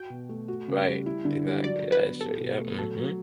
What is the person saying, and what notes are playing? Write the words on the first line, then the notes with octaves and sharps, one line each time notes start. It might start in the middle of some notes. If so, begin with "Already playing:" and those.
Right, exactly, yeah, it's true, yeah, mhm.
Already playing: F#4 G5
B2
A3
F#4
C#3
G3
E4
D3
G3
F#3 D5
F#3
B4
B3
G4 A4
B2
A3
F#3 A4
F#3